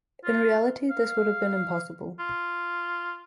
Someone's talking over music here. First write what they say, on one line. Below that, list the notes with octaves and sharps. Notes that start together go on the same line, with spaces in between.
In reality this would have been impossible.
F4
F5
F4